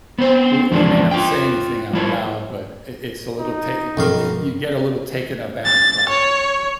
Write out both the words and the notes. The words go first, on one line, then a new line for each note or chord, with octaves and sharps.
we we may not say anything out loud, but, i it's a little ta you e you get a little taken aback by
B3 C4 C5
E2 F3 G#3 D4
F4 G5
G3 E4 F4
D#4
B1 G2 B2 D#3 F3 F5
A6
C#5